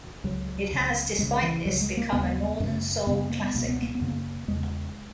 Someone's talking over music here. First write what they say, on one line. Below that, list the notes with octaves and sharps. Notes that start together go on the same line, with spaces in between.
It has, despite this, become a Northern Soul classic.
C#2 C#3 F#3
C#2 C#3
C#2 C#3 G#3
E3
C#2 C#3 F#3
G#3
A#3
D#2 C#3 B3
F#2 C#3
F#2 C#3 B3
A#3
B3
C#2 B2 A#3
B3
A#3
B3
F#2 C#3
A#3
E2 C#3 G#3